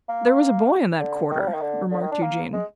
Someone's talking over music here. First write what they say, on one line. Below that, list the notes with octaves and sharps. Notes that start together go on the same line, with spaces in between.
'There was a boy in that quarter,' remarked Eugene.
A#3
D3
D#3
G3
F3
D#3
D3
D3
D#3
D4
A#3
G#3